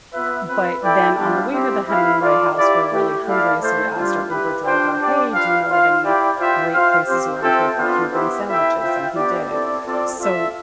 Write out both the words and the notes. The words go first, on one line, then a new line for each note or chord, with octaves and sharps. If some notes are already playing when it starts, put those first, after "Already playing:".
but then on the way to the Hemingway House, we're really hungry, so we asked our Uber driver, "Hey, do you know of any great places around here for Cuban sandwiches?" and he did. So,
B3 F4 B4 E5
C4 F4 B4
E4 A4 D5 G5
G3 B3 D4 F4
C4 E4 G4
E4 B4 F5
F4 A4 D5
E4 G4 D5
A3 E4 G4
E4 A4 D5 F5
A3 E4 A4 C5
G3 D4 F4
E4 G4 B4
D4 F4 C5 G5
D4 G4 D5 G5
F4 B4 F5
F4 C5 F5
E4 G4 D5 G5
F4 C5 E5 G5
F4 C5 F5
C4 G4 C5
C4 F4 A4 E5 G5
B3 D4 F4 A4
B3 E4 G4 C5 E5
E4 A4 E5 G5
F4 C5 E5 G5
B3 D4 G4 D5
C4 E4 A4 D5
C4 F4 A4 D5
F4 A4 E5